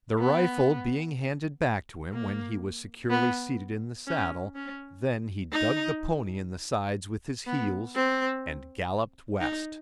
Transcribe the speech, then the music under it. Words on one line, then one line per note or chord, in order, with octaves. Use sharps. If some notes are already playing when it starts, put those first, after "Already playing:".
The rifle being handed back to him when he was securely seated in the saddle, then he dug the pony in the sides with his heels, and galloped west.
B3
A#3
B3
C#4
C#4
D#4
B3
C4
D#4